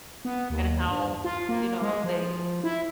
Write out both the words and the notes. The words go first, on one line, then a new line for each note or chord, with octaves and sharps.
and how, you know, they
B3
D#2
G2
F4
A#3
G#3
F3
E4